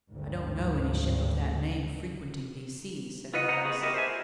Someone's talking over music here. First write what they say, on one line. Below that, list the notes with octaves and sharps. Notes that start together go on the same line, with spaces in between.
"I don't know any ship of that name frequenting these seas," said Hatteras.
G#1 D2 G2
F4 B4 D#5 F#5
C5 D#5 F#5 A#5
B3 F#4 G#4
E4 G4 A#4 D#5
C5 E5 G#5
F4